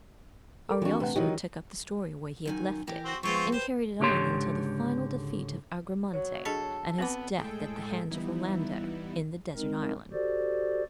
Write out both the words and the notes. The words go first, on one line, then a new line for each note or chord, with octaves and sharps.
Ariosto took up the story where he had left it, and carried it on until the final defeat of Agramante, and his death at the hands of Orlando in the desert island.
A4 A#4 D6
F2 E3 D4 F#4
C3 A3 B4 F#5
D#3 E3 F#3 D#4 E4 G4
F#2 D#3 G#5
E3 G4 A#4
C4 F#4
F3 G#3 B3 C4 F4 C#6
G4 B4 C5
C#2 G#2 D3 G4 C#5 C6
F#3 C#5
D4 G#4 A4 D#5
B3 C4 D6
A2 G#3 G#4 A4 G5
E3 G3 B3 D#4 E4
G#3 C4 D#4 A#4
F#4 G4 A4 C5 D5